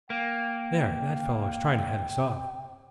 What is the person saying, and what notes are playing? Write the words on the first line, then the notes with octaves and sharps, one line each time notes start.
"There, that fellow is trying to head us off."
A#3 G5